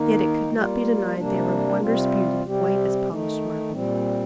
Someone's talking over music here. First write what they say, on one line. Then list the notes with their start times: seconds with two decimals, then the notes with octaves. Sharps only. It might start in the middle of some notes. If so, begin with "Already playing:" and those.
Yet it could not be denied they were of wondrous beauty, white as polished marble.
Already playing: D#3 A#3 D#4
0.53 G3 A#3 F4
1.16 C3 G3 A#3 D4
1.80 C3 G3 C4 F4
2.45 C3 G3 C4 G4
3.08 D#3 A3 D#4
3.72 A#2 G3 C4